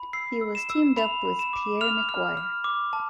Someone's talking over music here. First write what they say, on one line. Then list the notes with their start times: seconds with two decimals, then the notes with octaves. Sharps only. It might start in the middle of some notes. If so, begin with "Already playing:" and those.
He was teamed up with Pierre McGuire.
Already playing: B5
0.13 E6 C7
0.41 E6
0.55 E7
0.70 E6
0.97 B5 F7
1.25 B5
1.39 E7
1.53 D6
1.81 F6 F7
2.09 F6
2.37 F6
2.64 D6
2.93 A5